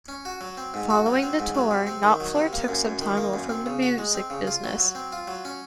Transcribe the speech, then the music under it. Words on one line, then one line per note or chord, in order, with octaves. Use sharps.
Following the tour, Knopfler took some time off from the music business.
C#4
F#4
F#3
C4
G#2
F#4
F#3
C4
G#2
F#3
C3
C4
D#3
F#3
C3
A#3
F#2
F#2
D#3
A#3
F#2
C4
C#3
F#4
G#3
C4
C#3
F4
F#3
F#3
C4
F4
F#3
C#4